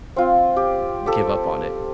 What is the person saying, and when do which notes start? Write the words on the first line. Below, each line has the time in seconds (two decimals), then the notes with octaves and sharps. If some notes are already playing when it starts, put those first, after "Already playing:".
give up on it.
0.16 C4 F4
0.57 G4
1.06 G4 A4